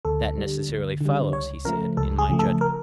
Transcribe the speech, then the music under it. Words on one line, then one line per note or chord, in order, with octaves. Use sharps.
That necessarily follows, he said, in my judgment.
D2 A4
D3 G3
D2
D3 G3
C#2 C#5
C#3 F3 A3 A#4
C#2 A4
G#4
C#3 F3 A3
A4
A#4